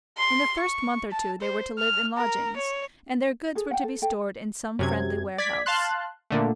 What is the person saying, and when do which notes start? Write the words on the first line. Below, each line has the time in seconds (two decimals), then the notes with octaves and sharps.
In the first month or two they were to live in lodgings, and their goods were to be stored in some friendly warehouse.
0.18 C6
0.60 C#6
1.12 A5
1.41 C5
1.79 F6
2.17 A#4
2.57 C#5
3.55 G#4 A4
3.71 F#5 G5 A5
3.84 A4
4.02 A4 G5
4.79 F#2 C3 G#6
5.38 D5 G#6 B6
5.66 F5 A5 C6 F#6
6.30 A#2 D3 A3